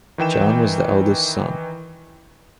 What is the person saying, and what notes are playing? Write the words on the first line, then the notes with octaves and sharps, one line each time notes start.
John was the eldest son.
D#3 E3 G5 E7